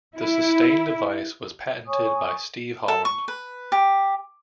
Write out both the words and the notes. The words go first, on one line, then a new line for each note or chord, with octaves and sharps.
The sustain device was patented by Steve Holland.
E4
C#5 G#5 C#6 D#6
A4
C#6
B4
G4